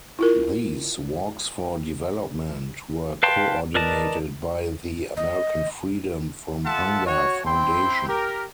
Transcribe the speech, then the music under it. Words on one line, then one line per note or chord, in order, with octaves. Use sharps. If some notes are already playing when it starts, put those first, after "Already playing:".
These "Walks for Development" were coordinated by the American Freedom from Hunger Foundation.
E4 F4 A#4
B4 F5 G5 A5 C6
A#4 B4 D5 D#5 A5
D#5
F4 A4 E5 F#5 A5
F#4 C#5
C4 E4 G5 C6
G4 A#4